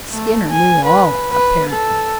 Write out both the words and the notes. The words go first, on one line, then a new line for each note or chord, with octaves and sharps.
Skinner knew all, apparently.
A3
G#5
B4
B4
A4